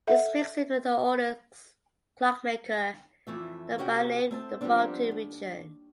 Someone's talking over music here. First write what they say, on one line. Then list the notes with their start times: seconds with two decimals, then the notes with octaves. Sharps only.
This makes him the oldest clockmaker known by name in the Baltic region.
0.07 A4 E5 F#5
3.27 F2 E3 A3 E5
3.78 C3 C#4 F#4 G#4 G5
4.31 A3 C4 A5
4.61 F3 G3 A3 B3 C4 D4
5.11 D#2